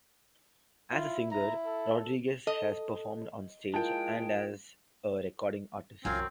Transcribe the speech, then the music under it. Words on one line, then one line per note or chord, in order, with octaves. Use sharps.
As a singer, Rodriguez has performed on stage and as a recording artist.
E4 F4
E4 A#5
A4
A4 D#5
G#3 E4 F4 A#4 G5 A5
C2 F#2 E3 C4 F4 G#5